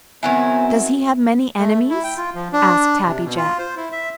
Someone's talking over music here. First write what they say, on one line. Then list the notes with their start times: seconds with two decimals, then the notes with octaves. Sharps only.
"Does he have many enemies?" asked Happy Jack.
0.23 D#3 F#3 B3 C4 E4 G#5
1.58 A3
1.90 E4
2.04 G5
2.17 F4
2.35 F3
2.53 D4
3.06 C3
3.24 B2
3.36 F4
3.59 C5
3.77 E4
3.92 E5